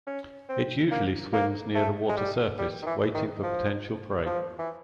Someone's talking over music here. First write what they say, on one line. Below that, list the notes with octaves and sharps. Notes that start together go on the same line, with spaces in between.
It usually swims near the water surface waiting for potential prey.
C#4
C4
A#3
A#3
A3
G#3
G3
G3
D#3
E3
D#3
F3
F3
E3